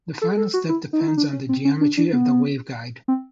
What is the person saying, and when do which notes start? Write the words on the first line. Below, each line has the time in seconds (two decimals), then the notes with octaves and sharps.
The final step depends on the geometry of the waveguide.
0.22 A4
0.32 G#4
0.37 A4
0.54 F#4
0.69 E4
0.93 D#4
1.00 E4
1.08 D#4
1.18 D4
1.33 C#4
1.49 C4
1.65 C#4
1.81 D4
1.97 D4
2.13 B3
3.08 C4